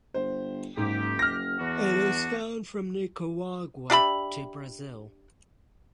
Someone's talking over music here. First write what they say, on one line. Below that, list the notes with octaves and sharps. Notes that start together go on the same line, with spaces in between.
It is found from Nicaragua to Brazil.
G1 C5
F#1 G#2 G4
F6 A#6
E2 D4 F#4
D4 G4 E5 B5